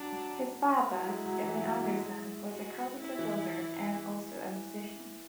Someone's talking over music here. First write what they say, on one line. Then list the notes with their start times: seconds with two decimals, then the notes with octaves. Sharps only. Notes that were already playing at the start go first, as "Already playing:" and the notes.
His father, Irving Anderson, was a carpenter-builder and also a musician.
Already playing: F#3 D4
0.12 F#3
0.90 F#3 E4
1.09 G#3
1.26 F#3
1.43 E3
1.61 F#3
1.78 F#3
1.96 G#3
2.48 F#4
3.00 E4
3.19 E3